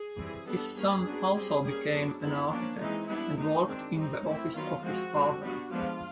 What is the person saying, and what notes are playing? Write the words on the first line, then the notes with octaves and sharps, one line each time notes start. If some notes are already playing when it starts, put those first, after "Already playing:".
His son also became an architect and worked in the office of his father.
Already playing: G#4
E3 G3 C4
G3 B3 D4 A4
G3 A#3 C#4 G#4
F#3 B3 D4
G3 C4
G3 A#3 C#4 G#4
F#3 B3 D4
D#3 G#3 B3 E4
F3 A#3 C#4 D4
E3 G#3 C4 D#4
G3 B3 D4 E4
D#3 F#3 A3 D4 D#4
D#3 G#3 C4 D4
G3 C4 D#4
E3 A3 C4 E4
D#3 F#3 B3 F4
F3 G#3 C4 F#4
D3 G3 C4
G3 B3 D4 F#4
F3 G#3 B3 D4 F4